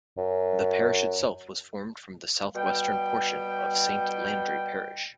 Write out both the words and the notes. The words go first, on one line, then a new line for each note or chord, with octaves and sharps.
The parish itself was formed from the southwestern portion of Saint Landry Parish.
F#2
B2 G3 G5